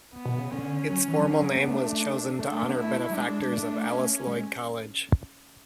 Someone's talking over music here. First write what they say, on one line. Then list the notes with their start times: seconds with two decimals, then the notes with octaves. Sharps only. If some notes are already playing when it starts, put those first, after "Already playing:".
Its formal name was chosen to honor benefactors of Alice Lloyd College.
0.13 B3
0.26 B2
0.38 C#3
0.51 D3 C#4
0.89 F#3
1.08 E3
1.16 F#3
1.26 D3
1.39 F#3
1.51 A3
1.60 B3 D4
1.71 A3
2.39 A3 D4
2.52 A3
2.64 B3
2.77 A3 E4
3.10 F#3
3.14 G#3 D4
3.52 A3
3.89 C#4
4.27 G#3